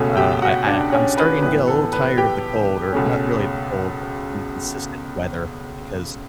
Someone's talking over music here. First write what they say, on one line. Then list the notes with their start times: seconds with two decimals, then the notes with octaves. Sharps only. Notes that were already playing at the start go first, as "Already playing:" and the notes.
uh, I I I'm starting to get a little tired of the cold, or not really the cold, but the inconsistent weather, because
Already playing: C#2 B2 A3 C#4
0.17 G4 G5
0.42 F#4 F#5
0.67 D4 D5
0.92 C#4 C#5
1.18 B4
1.42 A2 E3 B3 B4
1.67 A4
1.93 B4
2.18 G4 G5
2.92 C#2 B2 A3 C#4